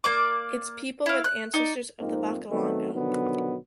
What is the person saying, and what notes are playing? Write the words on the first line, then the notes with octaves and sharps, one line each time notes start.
Its people were ancestors of the Bakalanga.
A#3 D5 D6
E4 F5
F#6
D#4 D5
F2 G#2 A#3 C4 D#4
D#3 F#3 A3 B3 C4
B2 D3 D#3 F3 F#3 B3